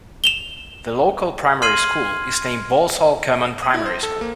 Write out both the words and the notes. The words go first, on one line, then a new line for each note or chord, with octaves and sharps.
The local primary school is named Balsall Common Primary School.
E7 F7 G7
C6 F6 G#6 C7 D#7 F#7
D#6
E4
C5
A4
A#3